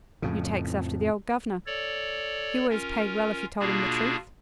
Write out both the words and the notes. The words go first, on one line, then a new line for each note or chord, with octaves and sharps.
You takes after the old governor; he always paid well if you told him the truth.
F2 A2 C#3
A4 C#5 D5
C#4 F4 A#4
B2 A#3 D4 F4 F#4 G#4